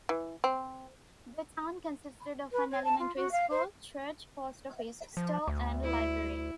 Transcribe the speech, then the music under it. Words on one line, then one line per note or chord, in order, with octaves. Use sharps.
The town consisted of an elementary school, church, post office, store, and library.
E3
C4
B4
C#5
A5
F4
F#4
F5
C5
F3
D2
E4